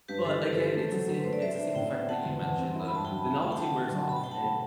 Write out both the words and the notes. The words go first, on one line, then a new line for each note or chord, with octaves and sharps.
But again, it's the same it's the same effect that you mentioned. The the novelty wears off. And
G2 G4 B4
E3 A4 C5
G2 G4 B4
A4 C5
E3
A4 C5
A3
F#3
F#3
B4
A3 C5
D5
F#3 C5 E5
D4
A2 E5 G5
B3
C4 F#5 A5
E2
E2
C4
E4
B5
G2 A5
F#3 G5 B5
E4
A3 A5
G5
D3 F#5 A5
D3
F#3
B2 B5
A5
B2 G5
F#5 A5
A3